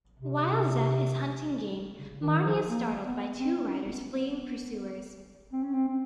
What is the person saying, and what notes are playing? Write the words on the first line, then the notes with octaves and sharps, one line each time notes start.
While Zeph is hunting game, Marnie is startled by two riders fleeing pursuers.
C3
C#3
D#3
F3
A#3
B3
C4
C#4
B3
B3
C4
C#4
C4
C4